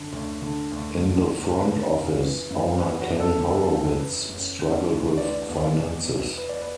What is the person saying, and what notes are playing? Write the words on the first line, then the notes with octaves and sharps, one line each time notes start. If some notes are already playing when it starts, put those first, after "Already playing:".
In the front office, owner Ken Horowitz struggled with finances.
Already playing: F#2 D3
D2
D3
D2
D3
E2
D3 B4
F#2
E3
F#2
E3 B4
F#4
E2
A4
D3
F#2
E3 B4
F#2
D3
D2
E3 D5
E2
B2
E2
E3 B4
D5
B4